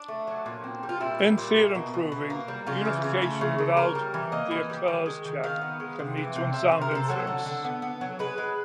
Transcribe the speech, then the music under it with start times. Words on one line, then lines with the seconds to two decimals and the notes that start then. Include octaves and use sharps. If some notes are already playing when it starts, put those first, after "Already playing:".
In theorem proving, unification without the occurs check can lead to unsound inference.
Already playing: D4
0.08 A3
0.27 F#3
0.46 A#2
0.64 C4
0.83 G3
0.89 F4
1.01 A#2 E4
1.19 G3
1.38 A#2
1.57 A#3
1.75 B2
1.94 B2
2.12 B2
2.30 A#3
2.48 G3
2.67 C#3 F4
2.85 E3
3.04 C#3
3.22 A3
3.41 C#3
3.58 C#3
3.77 A#3 A#4
3.95 G3
4.14 E3
4.32 A#3 D#5
4.51 E3
4.70 G3
4.88 D#3
5.06 G#3
5.25 D#3
5.44 D#3 F5
5.61 B3
5.80 G#3
5.99 C3
6.17 E3
6.36 C3
6.54 C3 E5
6.68 C3 C5
6.81 A#4
6.91 C3 A4
7.08 F#3 A4
7.27 D3
7.46 D3
7.64 B3
7.82 B3
8.01 F#3
8.19 G#3 B4
8.38 G#3